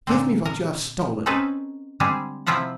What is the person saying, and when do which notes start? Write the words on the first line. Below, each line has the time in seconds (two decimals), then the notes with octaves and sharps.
'Give me what you have stolen!'
0.07 A#2 D3 C4
0.45 A#4
1.26 C4 C#4 D#4 A4 B4 C5
2.00 D3 G3 G#3 C4
2.46 C3 F3 E4 F4 E5 F#5